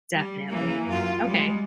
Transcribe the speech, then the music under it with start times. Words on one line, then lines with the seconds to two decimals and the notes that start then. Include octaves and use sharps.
definitely, okay.
0.15 G3
0.47 E3 A#3
0.86 F#2 F4
1.24 G3 G#3